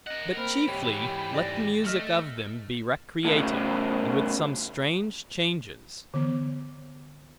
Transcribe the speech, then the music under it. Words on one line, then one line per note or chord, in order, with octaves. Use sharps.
But chiefly, let the music of them be recreative, and with some strange changes.
A#4 D#5 F#5
A#3 C4 A#4 B5
G#2 E3 G4 C#5
D5 A6 A#6
A3 D#5 F6 C#7
A2 C#3
D3 E3 B3